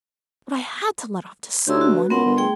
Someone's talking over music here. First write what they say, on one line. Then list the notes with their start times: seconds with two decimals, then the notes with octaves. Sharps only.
But I had to let off to some one.
1.67 D2 G4 C#5 C6 E6
1.81 F#4
1.97 B4
2.10 C#2 B3 A#4 F#5 C6
2.25 G1
2.37 A3 G#4 G5